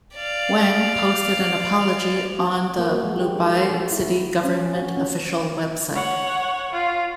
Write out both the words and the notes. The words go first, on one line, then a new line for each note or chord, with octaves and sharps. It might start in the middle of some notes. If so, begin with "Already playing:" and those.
Wang posted an apology on the Luobei city government official website.
D5 F5
F#4
A#3
F#4
G#3
G4
D#4
F#4
A4
E4
C#4
F#4
C#4
C#5 F#5
F4